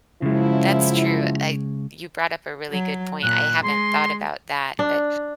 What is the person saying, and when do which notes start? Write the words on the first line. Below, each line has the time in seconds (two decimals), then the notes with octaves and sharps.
That's true, I you brought up a really good point, I haven't thought about that, but
0.22 F#2 C#3 F3 G#3 E4
2.71 F#3
3.22 A#2 F#6
3.63 G#3 C6
4.79 D4